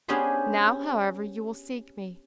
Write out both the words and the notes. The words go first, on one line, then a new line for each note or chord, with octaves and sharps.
Now, however, you will seek me.
B3 C#4 D4 G4 G#4 C5